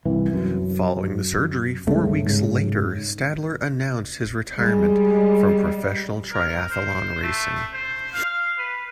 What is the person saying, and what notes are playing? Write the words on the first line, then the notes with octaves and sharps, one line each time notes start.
Following the surgery, four weeks later, Stadler announced his retirement from professional triathlon racing.
C2 E3
F#2
C#2 G2 C#3 A3
G#2 C#3
G3 G#3
A#4
C5
A3
C5
F5
B4